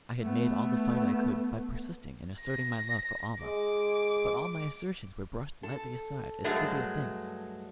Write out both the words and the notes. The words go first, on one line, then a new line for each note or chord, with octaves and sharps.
I had made all the fight I could by persisting in asserting my love for Almah, but all my assertions were brushed lightly aside as trivial things.
A3 B3
A#6
G#3 D6
A4
G2 F#3 G#3 A3